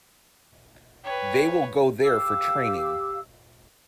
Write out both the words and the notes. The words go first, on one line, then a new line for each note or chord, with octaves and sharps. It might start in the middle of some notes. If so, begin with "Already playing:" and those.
They will go there for training.
B4 C#5 G5
G4 F5 D6 E6